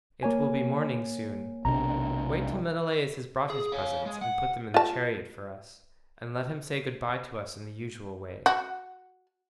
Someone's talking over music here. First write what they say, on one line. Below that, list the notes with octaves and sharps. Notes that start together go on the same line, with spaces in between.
It will be morning soon; wait till Menelaus has brought his presents and put them in the chariot for us; and let him say good bye to us in the usual way.
A#3 C#5 G#5
B1 C3 D4 A#5
G#4
C#5 F5
G#3
F#5
F4 A5
F#4